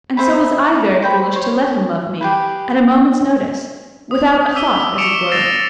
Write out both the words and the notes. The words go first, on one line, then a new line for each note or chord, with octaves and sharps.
And so was I very foolish to let him love me, at a moment's notice,--without a thought as it were.
C5 E5 G#5 B5
D#4 A#4
C5 G5 B5
C5 C#5
G4 G#4 B4
D#6
D6 E6 B6 D#7 G7
C#6 D6 C#7 D7 E7 F7
E6 A6 A#6 C7 E7 F7